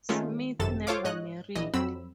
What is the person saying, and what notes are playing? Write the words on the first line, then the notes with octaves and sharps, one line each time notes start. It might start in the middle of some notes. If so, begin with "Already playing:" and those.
Smith never married.
D#3 G#3 A3 C#4 F4
G#1 F#2 C3 A4 A6 E7
F4 A4 C5 C#5 F5 D6
G#2 C#5 D#5 F#6
A#1 E3 D#5
F2 F#3 C4 B5 E6